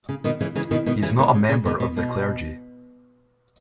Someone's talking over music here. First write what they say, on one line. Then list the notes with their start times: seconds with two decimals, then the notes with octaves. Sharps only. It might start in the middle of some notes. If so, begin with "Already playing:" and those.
He is not a member of the clergy.
0.09 C#3
0.24 B2 D#3
0.41 C#3 E3
0.55 C#3 E3
0.71 B2 D#3
0.86 B2 D#3
1.02 C#3 E3
1.19 B2 D#3
1.34 C#3
1.49 C#3 E3
1.65 B2 D#3
1.80 B2
1.97 B2